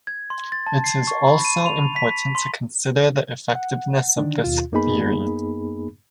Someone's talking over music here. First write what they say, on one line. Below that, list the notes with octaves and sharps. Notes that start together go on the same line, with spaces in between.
It is also important to consider the effectiveness of this theory.
G#6
C6
A6
A5
C7
C#6
B5
D#7
F7
B6
C6
F#5
D3 D#3 D4
D#2 B2 F4
F#2 A#3 B3 D#4 G#4 B5